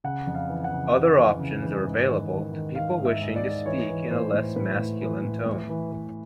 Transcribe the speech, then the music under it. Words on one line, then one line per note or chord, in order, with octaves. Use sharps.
Other options are available to people wishing to speak in a less masculine tone.
C#3 F#5
F2
F5
E3
F#5
C#3
E3
E3
C#3
E3
G#2
D#3
D#3
D#3
D#3 F5
G#2
E5
G#2
D5
G#2
E3 C#5
E3
A2 C5
A2
A2 B4
A2
E3
A2
A2
E3
E3